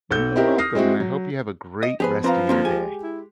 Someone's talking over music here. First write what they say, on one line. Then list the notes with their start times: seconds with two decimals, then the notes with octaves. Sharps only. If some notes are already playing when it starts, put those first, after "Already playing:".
You are welcome, and I hope you have a great rest of your day.
0.11 B1 A4 G6
0.36 C4 D#4 E4 G4 A#4
0.58 D#6 F6 A#6 C7
0.75 G#3 C4 E4 F#4
1.00 F#3
1.83 D#5
2.00 F3 B3 G4 G#4 B4
2.24 F3 C4 B4 F5 A#5
2.49 D3 A#3 C4
2.65 G#3 G4 G#5
3.03 E4